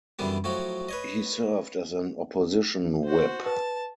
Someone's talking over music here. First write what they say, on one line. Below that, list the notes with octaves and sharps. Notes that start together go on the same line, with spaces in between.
He served as an opposition whip.
F#2 D3 E3 G3 B3
A2 F3 F#3 F#4
B4 C#5 D#5
F#4 C5
B4 A5